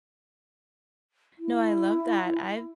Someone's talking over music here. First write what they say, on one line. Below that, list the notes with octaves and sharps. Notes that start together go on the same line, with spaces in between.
no, I love that, I've
E4